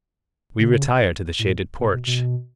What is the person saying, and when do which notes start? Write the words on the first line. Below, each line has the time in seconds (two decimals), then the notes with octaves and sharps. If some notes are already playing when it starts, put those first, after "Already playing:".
We retire to the shaded porch.
0.59 C#3
1.39 A2
1.79 B2
1.93 B2
2.07 B2